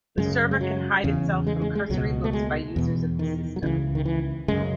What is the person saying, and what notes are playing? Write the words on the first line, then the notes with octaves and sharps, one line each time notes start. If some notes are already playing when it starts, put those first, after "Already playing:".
The server can hide itself from cursory looks by users of the system.
F#2 C#3 G#3
G#3
F#3
E2 C#3
G#3
G#3
G#3
C#2 B2 F#3
A3
G#3
E2 B2
D#3
F#3
C#2 C#3 E3
D#3
E3
F#2 C#3 G#3